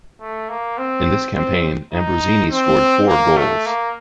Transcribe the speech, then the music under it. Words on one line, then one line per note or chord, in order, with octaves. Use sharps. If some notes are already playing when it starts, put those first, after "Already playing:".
In this campaign, Ambrosini scored four goals.
A3
A#3
C4
C4
D#4
C4
A#3
A3
A#3